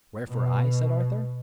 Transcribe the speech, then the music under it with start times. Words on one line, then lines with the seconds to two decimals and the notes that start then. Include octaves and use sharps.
"Wherefore I?" said Arthur.
0.29 B2